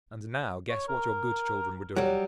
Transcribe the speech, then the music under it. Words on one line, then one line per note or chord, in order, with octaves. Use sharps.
And now, guess what your good children were doing?
C#5
A#4
F#3 G3